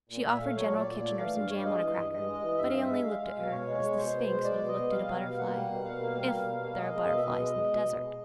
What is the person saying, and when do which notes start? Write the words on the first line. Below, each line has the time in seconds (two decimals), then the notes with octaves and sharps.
She offered General Kitchener some jam on a cracker; but he only looked at her as the sphinx would have looked at a butterfly--if there are butterflies in the desert.
0.10 A#2
0.25 A#2 E5
0.40 A3 F5
0.56 F#3 C#5
0.71 A#2 D5
0.87 A#2
1.02 A3
1.18 E3 F5
1.34 G2
1.49 G2 C#5
1.57 D5
1.65 G#3 D#5
1.80 E3
1.96 G2
2.11 G2 D#5
2.27 G#3
2.43 E3
2.58 G2 E5
2.68 F5
2.74 G2 E5
2.89 G#3
3.04 G#3 F5
3.20 G#3
3.36 B2
3.51 B2 C#5
3.67 G#3
3.82 G#3
3.98 B2 C5
4.13 B2
4.29 G#3
4.44 G#3 D5
4.60 B2
4.68 D#5
4.75 B2
4.91 G3 F5
5.07 B2
5.22 B2
5.37 A#3 F#5
5.53 G3
5.69 B2
5.84 B2 F5
6.00 A#3
6.15 G3
6.31 B2
6.47 B2
6.62 A#3
6.78 G#3 D#5
6.93 G#3
7.09 B2 F5
7.16 E5
7.24 B2 D#5
7.40 G#3
7.55 G#3
7.71 B2
7.86 B2
8.02 G#3